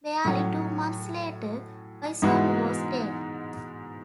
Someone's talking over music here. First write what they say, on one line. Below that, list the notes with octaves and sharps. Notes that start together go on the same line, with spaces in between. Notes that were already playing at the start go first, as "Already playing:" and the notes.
Barely two months later, Whysall was dead.
A2 F#3 C#4
G#2 E3 G#3 B3 F#4